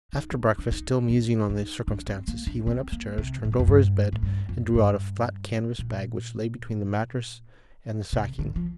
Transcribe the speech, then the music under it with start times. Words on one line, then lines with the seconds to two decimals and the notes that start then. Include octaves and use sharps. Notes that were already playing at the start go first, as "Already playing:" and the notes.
After breakfast, still musing on the circumstances, he went upstairs, turned over his bed, and drew out a flat canvas bag which lay between the mattress and the sacking.
0.13 D#4
0.32 D4
0.59 D4
0.72 D#4
1.10 D4
1.50 D#4
1.88 D4
2.08 C4
2.28 A#3
2.47 D4
2.67 C4
2.92 A#3
3.18 C3
3.45 A2
3.52 G2
3.59 F2
3.67 G2
4.13 A2
4.23 G2
4.49 F2
4.75 G2
5.79 A#2
8.13 C3
8.39 D3
8.56 F3